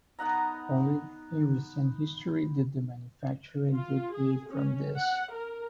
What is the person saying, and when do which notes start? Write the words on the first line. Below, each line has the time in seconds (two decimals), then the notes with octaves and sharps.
Only in recent history did the manufacturer deviate from this.
0.19 B3 D#4 F#5 A#5
3.73 F4
4.13 G#4
4.51 C#4
4.97 F#5
5.32 A#4